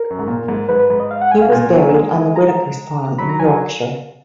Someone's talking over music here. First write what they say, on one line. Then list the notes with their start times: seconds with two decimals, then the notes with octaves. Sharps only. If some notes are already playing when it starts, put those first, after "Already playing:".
He was buried on the Whitakers' farm in Yorkshire.
Already playing: A#4
0.10 F#2
0.19 G#2
0.28 A#2
0.48 G#2
0.69 G#2 B4
0.79 B4
0.90 G#2 B4
1.00 D#5
1.11 F5
1.21 F#5
1.32 G#5
1.42 B2 F5
1.52 A#2 G#5
1.74 F#3
1.89 A#3
1.94 G#3
2.36 A#5
3.18 F#3 B5
3.29 A#5
3.39 F#3 G#5